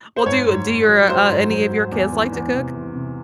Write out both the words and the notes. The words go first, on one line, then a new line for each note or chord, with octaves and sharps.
Well, do you do your, uh, any of your kids like to cook?
C5
G#2 C#5
G#2
G#2
F#3
F#3 C5
G#2
F#3 C5
G#2
E2
E3
E2
C3
E3
C3